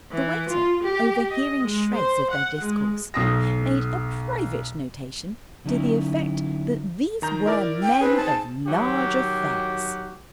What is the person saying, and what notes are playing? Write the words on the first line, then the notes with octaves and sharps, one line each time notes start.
The waiter, overhearing shreds of their discourse, made a private notation to the effect that these were Men of Large Affairs.
E3
F4
G4
D#5
G#3
C5
F#5
G#3
B1 D#6 A#6
D3 F#3 C#4 D#4 E4
D#3 A#5 G6
E4 A#4 D5
G5
C4 D#4 G#4 B4
A5
D#3 F#3 F#4 G4